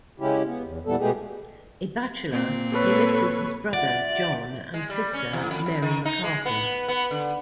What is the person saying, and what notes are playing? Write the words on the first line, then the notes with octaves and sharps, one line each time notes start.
A bachelor, he lived with his brother, John, and sister, Mary McCarthy.
C#3 G#3 C#4 E4 G4
B3
E2
A#2 E3 G3 B3 A4
B2 G#3 A3 B3 G4 G#4
A#2 A#3 C4
A4 B4 C#5
F4 D5 E5 F#5
G#3
G3
C#4
E2
F2
F2
D#3
D#4
G#3
B3
B3
D3